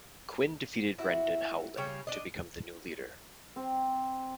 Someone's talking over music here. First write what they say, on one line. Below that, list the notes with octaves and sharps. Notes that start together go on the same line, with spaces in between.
Quinn defeated Brendan Howlin to become the new leader.
E4 F#4 E5
C#3 G3 C#5 G5
D4 D#5
C4